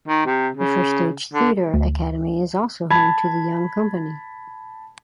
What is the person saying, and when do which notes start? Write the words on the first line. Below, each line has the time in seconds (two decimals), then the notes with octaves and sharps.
The First Stage Theater Academy is also home to the Young Company.
0.08 D#3
0.26 C3
0.56 C#3
1.34 D3
1.74 D2
2.90 A5 B5 G#6